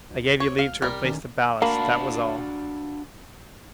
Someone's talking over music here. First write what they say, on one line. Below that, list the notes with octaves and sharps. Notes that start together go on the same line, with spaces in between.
"I gave you leave to replace the ballast; that was all!"
D2
C#5
F5
C2 G3 A#4
F1 D#3 C#4
A#3 D4 F#4 F5 A5 B5